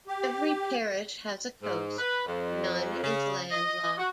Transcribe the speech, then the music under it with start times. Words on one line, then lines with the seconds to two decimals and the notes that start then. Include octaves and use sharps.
Every parish has a coast; none is landlocked.
0.07 G4
1.62 G#2
1.98 B4
2.26 F2
3.02 C#3
3.52 D#5
3.98 F#4